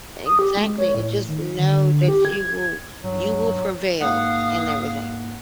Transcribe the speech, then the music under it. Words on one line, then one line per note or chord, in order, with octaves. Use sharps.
Exactly, and just know that you will you will prevail in everything,
D#6
G4
G#3
C#5
A2
D#3
D3
G4
G#6
G2 F#3
G#2 A#3 F5 F#5 D#6 F#6